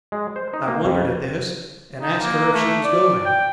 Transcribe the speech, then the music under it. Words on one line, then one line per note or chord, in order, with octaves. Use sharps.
I wondered at this, and asked her if she was going.
G#3
C5
D#4
A#3
F2
D#4
A#3
A3
D5
G5